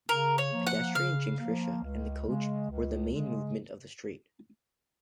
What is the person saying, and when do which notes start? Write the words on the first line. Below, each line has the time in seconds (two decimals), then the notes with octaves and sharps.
Pedestrian, Jinrikisha and coach were the main movement on the street.
0.08 C#3 A#4
0.38 C#5
0.52 F3 A#3
0.67 F#5
0.95 C#3 F5
1.39 F3 A#3
1.83 C#2
2.27 C#3 G#3
2.70 C#2
3.13 C#3 G#3